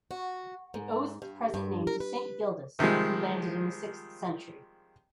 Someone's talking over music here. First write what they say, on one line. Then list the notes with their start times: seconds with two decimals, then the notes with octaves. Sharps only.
It owes its present name to Saint Gildas who landed in the sixth century.
0.11 F#4
0.74 G#2
1.22 G2
1.54 G2
1.87 A#4
2.00 B4
2.79 C3 D#3 F3 G3 G#3